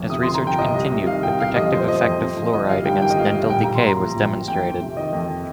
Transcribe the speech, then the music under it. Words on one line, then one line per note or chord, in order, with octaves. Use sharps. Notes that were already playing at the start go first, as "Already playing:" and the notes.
As research continued, the protective effect of fluoride against dental decay was demonstrated.
Already playing: G1 F2 F3
C3 D#6
C6
G1
A#5
F3 G5
C2 D#5
G3
C3
D#3 F5
C2 G5
G3 F5
F2 D#5
F3 C5
F3 D#5
F2
F2
F3
G1 D#5
G3 F5
G2 G5
D#3 G5
D#5
G1 F5
G3 F5
A#1 G5
A#5
A#1
C6
A#2 A#5
F3
A#1
A#1
F2 G5
F2
C3
D#3 D#5
F2